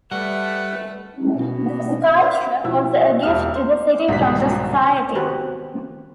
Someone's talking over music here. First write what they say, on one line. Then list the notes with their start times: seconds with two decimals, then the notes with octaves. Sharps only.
The sculpture was a gift to the City from the Society.
0.12 G3 A3 B4 F#5
1.36 B2
2.21 B4 C5 D5 E5 F5
2.64 B2 F3 E4 E6
3.23 E1 G4 F5 A5 F6
3.56 C5
4.08 C2 G#2 B2 D#3 B6
5.15 D#3 B3 C4 F#4 G4 B4